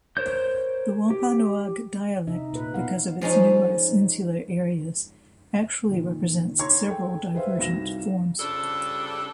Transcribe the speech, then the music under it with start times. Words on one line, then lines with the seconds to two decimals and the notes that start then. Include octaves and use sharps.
The Wampanoag dialect, because of its numerous insular areas, actually represents several divergent forms.
0.17 A#4 C5 C#5 G6
1.10 G4
2.27 C3 D#4 E5
2.53 A#2 B4
2.74 B2 B3 E4 B4 F5 F#5
3.21 F3 G#3 C#4 D#4
5.89 A#2 D#3
6.59 C#5 A#5 C6 C#6 G#6
6.87 G#4 A4 G5
7.34 G#4 B4 C5 E5 F5
7.58 C2 D#4 F#4 F5 A#6 E7
8.38 C#3 F3 G3 D4 G4 A4